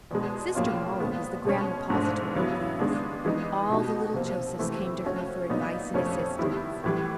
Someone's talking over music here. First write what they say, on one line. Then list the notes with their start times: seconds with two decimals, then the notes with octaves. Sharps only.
Sister Mollie was the grand repository of these; all the little Josephs came to her for advice and assistance.
0.11 E2 B2 G#3
0.55 A2 F#3 A#3 C#4 F4
1.00 A#2 F3 G#3 B3
1.45 B2 G#3 C#4
1.90 G#2 F3 A3 D4
2.35 C#3 F#3 B3 E4
2.80 D#3 G#3 B3 D4
3.25 E3 G#3 B3 D#4
3.70 B2 G3 B3 D#4 F#4
4.14 C3 F3 A#3
4.59 C3 E3 A3
5.05 F3 A3 C#4 F#4
5.50 A#2 F#3 B3 D#4
5.94 F2 C3 F3 A3 C#4
6.39 D#3 G3 B3 E4
6.84 A2 E3 G3